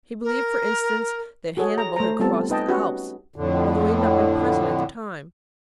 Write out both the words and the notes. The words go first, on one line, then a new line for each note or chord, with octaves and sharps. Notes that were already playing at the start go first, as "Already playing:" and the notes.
He believed, for instance, that Hannibal had crossed the Alps, although he had not been present at the time.
A#4
F#4 G#4 A4 C#5
A#5
A3 C5 A#5
G3 B3 C4 F4 A4 A5
D#4 B4 D#5 G5 A5
C#4 F#4 G4 B4
F2 A2 D3